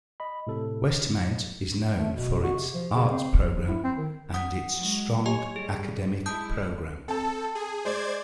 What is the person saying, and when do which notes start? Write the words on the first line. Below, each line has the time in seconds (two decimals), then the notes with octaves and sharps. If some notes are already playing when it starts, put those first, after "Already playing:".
Westmount is known for its arts program and its strong academic program.
0.20 D#5 B5
0.47 A2 C3 A4
1.99 A3
2.14 B2
2.43 F#4
2.55 C3
2.74 F3
2.95 C#3
3.12 C4
3.40 F3
3.68 E4
3.84 C4
3.97 D#3
4.34 F#5 D#6
4.79 F#3 G#3
5.26 G4 C#5 D#5 G#5
5.56 G3 G#4
6.26 G#3 E4 A5 D#6 G6
7.08 C4 A4 A5
7.55 G#4
7.85 G#3 C5 D5 G#6